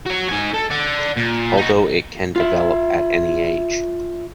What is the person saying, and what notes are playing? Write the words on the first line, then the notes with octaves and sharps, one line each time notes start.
Although it can develop at any age.
F#4 C#5
D#4 G#5
A4
D5 F#5
A#2
D#4 F#4
F4 E5